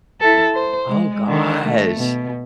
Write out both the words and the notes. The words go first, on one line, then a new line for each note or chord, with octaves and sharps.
Oh gosh.
E4 A4
C5
G#3
D3 D#3
A3
B2